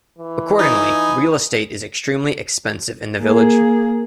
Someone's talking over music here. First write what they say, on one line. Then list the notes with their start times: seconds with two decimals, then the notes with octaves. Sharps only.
Accordingly, real estate is extremely expensive in the village.
0.18 E3
0.59 D#4 G#5 B5 D#6
3.20 A#3 G#4